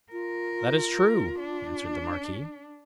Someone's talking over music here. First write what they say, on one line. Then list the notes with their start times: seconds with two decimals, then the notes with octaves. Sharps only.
"That is true," answered the marquis.
0.12 F4 A#4
1.40 D4